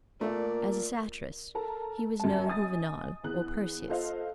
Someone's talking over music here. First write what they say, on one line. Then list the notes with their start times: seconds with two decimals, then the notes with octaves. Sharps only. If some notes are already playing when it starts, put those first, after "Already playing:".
As a satirist he was no Juvenal or Persius.
0.21 A#2 A3 A#3 D5
1.55 A4 A#4 A5 A#5
2.20 F#2 A5
2.47 D#5 G#5 D#6 A6
3.24 E2 G#4 F#6
3.88 F4 A4 C5 D#5 F5